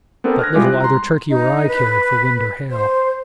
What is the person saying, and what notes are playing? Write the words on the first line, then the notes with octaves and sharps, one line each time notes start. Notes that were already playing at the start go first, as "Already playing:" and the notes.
But little either Turkey or I cared for wind or hail.
B3 C4 D4 A4 A#4
F6 F#6 G#6 A#6
G3 G#3 E4 F4 G4 G#4
F#6
A#5 C6
D#4
B4
C5